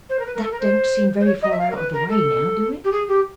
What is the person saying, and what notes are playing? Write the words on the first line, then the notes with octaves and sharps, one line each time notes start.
That don't seem very far out of the way now, do it?'
C5
A#4
B4
A#4
A4
A#4
C5
C5
C#5
D#5
E5
F5
A#4
B4
A#4
A4
G4
G#4
G4